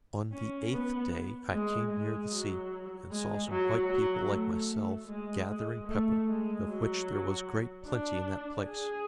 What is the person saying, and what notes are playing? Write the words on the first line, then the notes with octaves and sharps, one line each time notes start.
On the eighth day I came near the sea, and saw some white people like myself gathering pepper, of which there was great plenty in that place.
C#4
B3
G#3
G#3
F#3
G#3
F#3
F#3
A3
A3
G#3
G#3
A3
G#3
F#3
D4
G#4